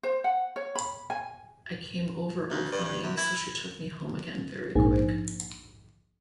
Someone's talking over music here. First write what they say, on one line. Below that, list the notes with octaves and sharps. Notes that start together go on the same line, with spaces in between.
I came over all funny, so she took me home again very quick.
C5
F#5
C#5
B5
G#5
D2
G2
G2
F#2
E4
A#1 G#2